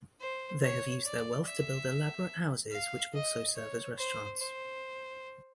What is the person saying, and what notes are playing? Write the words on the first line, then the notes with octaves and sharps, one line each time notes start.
They have used their wealth to build elaborate houses which also serve as restaurants.
C5
C#5
D5
E5
F5
D#5
C#5
C5
C5